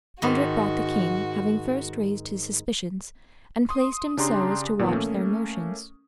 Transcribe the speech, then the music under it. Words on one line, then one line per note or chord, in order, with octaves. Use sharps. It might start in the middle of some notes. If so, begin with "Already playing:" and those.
Andret brought the king, having first raised his suspicions, and placed him so as to watch their motions.
G#2 D#3 F#4
C6 D#6
C#3 D4 G4 A#5 C6
A#2 D#3 F3 B3
A3 A#3 C#4